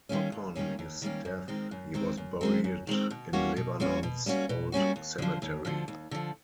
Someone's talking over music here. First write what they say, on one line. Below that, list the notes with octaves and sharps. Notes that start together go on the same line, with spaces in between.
Upon his death he was buried in Lebanon's Old Cemetery.
D#3 G3 A#3 C#4
D#2
D#3 G3 A#3 C#4
D#2
D#3 G3 A#3 C#4
F#2
D#3 G#3 C4
F#2
D#3 G#3 C4
F#2
D#3 G#3 C4
F#2
D#3 G#3 C4
B2
G3 A#3 C#4 F#4
B2
G3 A#3 C#4 F#4
B2
G3 A#3 C#4 F#4
B2
G3 A#3 C#4 F#4
D#2
D3 F3
D#2
D3 F3
D#2
D3 F3